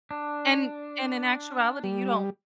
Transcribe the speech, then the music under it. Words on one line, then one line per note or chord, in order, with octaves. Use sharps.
and and in actuality, you don't
D4
G3